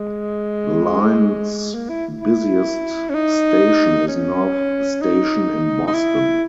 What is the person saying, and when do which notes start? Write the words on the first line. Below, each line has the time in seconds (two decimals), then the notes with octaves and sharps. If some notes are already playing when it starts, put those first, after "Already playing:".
The line's busiest station is North Station in Boston.
Already playing: G#3
1.75 A#3
1.89 E4
2.21 E4
3.10 C#4
3.14 D#4
4.08 C#4
5.01 D#4
5.87 D#4
5.94 E4